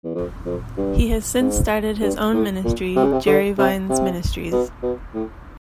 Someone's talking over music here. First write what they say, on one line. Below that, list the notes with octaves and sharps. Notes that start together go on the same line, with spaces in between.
He has since started his own ministry, Jerry Vines Ministries.
E2
F2
F2
G2
G#2
G2
A2
A#2
C3
C#3
C3
D3
C3
C3
B2
B2
A2